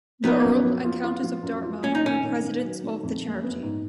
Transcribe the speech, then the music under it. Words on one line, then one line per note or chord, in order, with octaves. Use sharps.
The Earl and Countess of Dartmouth were Presidents of the charity.
F3 B3 D#4
F#2
F3
F4
F4
F3
F#2
F4
F#1 C#4
D#4
D#3 C#4
D#3
D#3
F#3
D#3
F2
F#1
B3
G#2